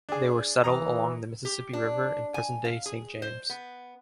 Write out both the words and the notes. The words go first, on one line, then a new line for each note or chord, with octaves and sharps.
They were settled along the Mississippi River in present-day Saint James.
D4 G#4
E3 A#5 D#6
G4
D4
G#5
F5
G#4
C5
B3